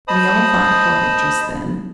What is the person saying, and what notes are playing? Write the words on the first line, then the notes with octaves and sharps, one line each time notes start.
We all thought hard just then.
C5 D#5 A5 B5 D#6